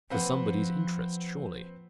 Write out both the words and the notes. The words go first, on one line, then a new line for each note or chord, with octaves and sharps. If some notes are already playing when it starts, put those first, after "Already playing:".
For somebody's interest, surely.
F3 A#3 C4 B4 F#5